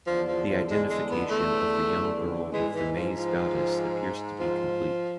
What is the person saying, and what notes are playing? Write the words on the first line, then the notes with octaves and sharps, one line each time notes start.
The identification of the young girl with the Maize Goddess appears to be complete.
E2 D3 F3
F3
F3
G#3
G#3
B3
A3
G#2 E3 G#3
E3
F3
F3
F3